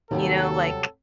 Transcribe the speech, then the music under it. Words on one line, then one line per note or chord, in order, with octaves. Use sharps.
you know, like
D#2 C3 F#3 G3 A4